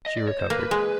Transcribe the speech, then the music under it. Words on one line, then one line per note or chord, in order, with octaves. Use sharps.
She recovered.
D#5
D5
C#5
C5
A#3 B4
G#3